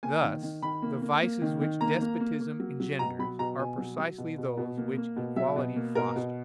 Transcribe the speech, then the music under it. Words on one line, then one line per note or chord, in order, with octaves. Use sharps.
Thus the vices which despotism engenders are precisely those which equality fosters.
A#3 G#5
D#3
D#3
D#3 B5
A#3
A#3
A#3
D#3
D#3
A#3 A#5
A#3
A#3
A#3
F#3
F#3
B2 A#5
F#3 B5
B2 A#5
B2 G#5
F#3
F#3
B2
B2
B2
A#3
A#3
B2
F#3 E5
B2
A#3
B2 A#4
B2